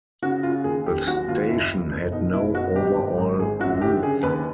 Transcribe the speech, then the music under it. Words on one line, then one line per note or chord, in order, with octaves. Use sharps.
The station had no overall roof.
C#3 F#4
C#3 F4
D#2 G#4
D#2 G4
F#3 F#4
D#2 F4
F#1 E4
F#1
F#1
B2 D#4
F#1 E4
B2 F#4
G#1 G4
G#1
G#1
G#1 G#4
F#2 F#4
D3 G4
C#3 G#4
D#2 B4